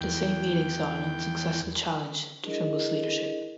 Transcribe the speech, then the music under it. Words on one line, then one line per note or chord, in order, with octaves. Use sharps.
The same meeting saw an unsuccessful challenge to Trimble's leadership.
E2 G5
D4 E4 G#4 A#4 D#5